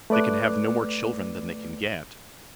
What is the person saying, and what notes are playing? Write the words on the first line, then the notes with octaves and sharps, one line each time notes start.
They can have no more children than they can get.
A3 B4 D5 D6 F#6